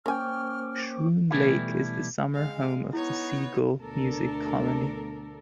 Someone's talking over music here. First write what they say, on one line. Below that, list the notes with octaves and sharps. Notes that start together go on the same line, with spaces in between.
Schroon Lake is the summer home of the Seagle Music Colony.
A#3 C#4 A#4 C5 G5 G#5 D6 F6
B2 E3 G3 A3 E4
G#3 F5
B3 D#4 E4 C#5
D2 B2 D4 A4 A#4